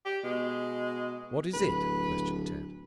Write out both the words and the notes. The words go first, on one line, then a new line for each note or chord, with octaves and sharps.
"What is it?" questioned Tad.
G4
B2 G#3
D1 B4